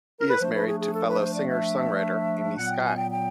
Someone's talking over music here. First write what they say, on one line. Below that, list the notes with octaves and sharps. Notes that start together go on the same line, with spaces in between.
He is married to fellow singer-songwriter Amy Sky.
A#4
B4
F3 A3 D4 C5
B4
G#4
G#4
A4
B4
C5
D5
E5
A#2 F#3 B3 F#5
G5
G#5
G5
G5